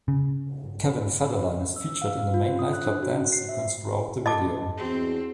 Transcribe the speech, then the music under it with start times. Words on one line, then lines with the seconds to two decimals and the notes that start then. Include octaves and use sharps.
Kevin Federline is featured in the main nightclub dance sequence throughout the video.
0.08 C#3
1.76 E6
2.02 F5
2.20 F5
2.34 F4
2.46 C5
2.59 D#6
2.73 F#6
2.86 D4
3.03 F#4
3.15 C5
3.32 C7
3.49 E5
4.26 D#5 A5 D6
4.77 E2 C4 F#4 G#4